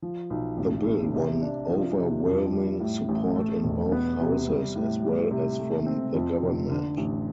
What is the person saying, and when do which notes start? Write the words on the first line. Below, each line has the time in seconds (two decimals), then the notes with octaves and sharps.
The Bill won overwhelming support in both Houses as well as from the Government.
0.02 F3
0.30 B1
0.58 A1
0.85 A1
1.14 C3
1.42 D4
1.69 F3
1.97 C3
2.25 F2
2.52 G3
2.80 A2
3.09 A1
3.36 A3
3.64 E1
3.92 B3
4.20 C3
4.48 G3
4.76 A2
5.03 G3
5.31 C3
5.59 A3
5.86 C4
6.15 F2
6.42 F1
6.70 D3
6.97 A1